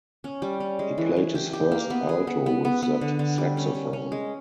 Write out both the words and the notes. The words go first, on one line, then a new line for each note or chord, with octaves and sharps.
He played his first alto with that saxophone.
C#4
G3
C#4
G#3
E3
E3
G4
G4
A#3
B3
G#4
B3
B3
B3
B3
D3
D3
G3
C#4
C#4
C#4
G#3